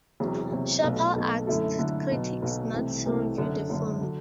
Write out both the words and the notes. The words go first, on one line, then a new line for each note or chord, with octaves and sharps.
Chappelle asked critics not to review the film.
E1 E2 C3 F#3
E1 E2 C3 F#3
B1 B2 A3
B1 B2 A3
F#2 D3 A3 E4 A4
F#2 D3 A3 E4 A4
B1 B2 F#3
B1 B2 F#3
C2 C3 E3 A3
C2 C3 E3 A3
F#1 F#2 D3
F#1 F#2 D3
D3 F#3